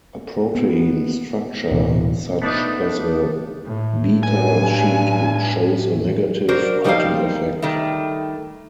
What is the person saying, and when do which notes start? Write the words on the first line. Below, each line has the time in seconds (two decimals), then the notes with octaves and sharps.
A protein structure such as a beta sheet shows a negative Cotton effect.
0.55 B3
1.71 D1 B2 E3
2.42 A3 B3 D4 D#4
3.65 A2
4.23 G2 G#5
6.48 D4 F#4 A#4 C5
6.84 F3 G3 D#4 A#4 C5 F5
7.62 D#3 G3 A3